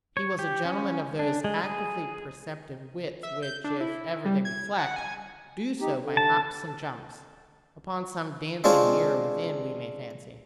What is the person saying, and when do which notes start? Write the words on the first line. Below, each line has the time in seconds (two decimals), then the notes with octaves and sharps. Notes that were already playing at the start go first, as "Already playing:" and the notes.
He was a gentleman of those actively perceptive wits which, if ever they reflect, do so by hops and jumps: upon some dancing mirror within, we may fancy.
0.17 C#5
0.39 G4
0.65 C#4
1.19 D4
1.44 G#3
1.64 G#4
3.23 E5
3.42 G6
3.64 D4
3.81 E4
4.25 G3
4.45 G#6
4.78 F#5
4.96 G#5
5.81 D#4 G4
6.01 D3
6.17 A5
8.64 G#3 C4 D4 F4 C#5